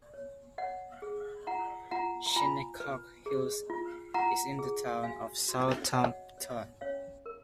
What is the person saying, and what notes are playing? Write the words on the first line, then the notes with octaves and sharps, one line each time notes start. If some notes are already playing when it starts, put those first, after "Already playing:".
Shinnecock Hills is in the Town of Southampton.
C#5
C#5 D#5 F#5
G#4
F4 F#5 A#5
F4 F#5 A#5
A#5
F4 G#5 B5
B4
G#4
F4
F4 F#5 A#5
G#4
F#4 F5 G#5
F#4
C#5 D#5 F#5
C#5
C#4 C#5 F5
A#4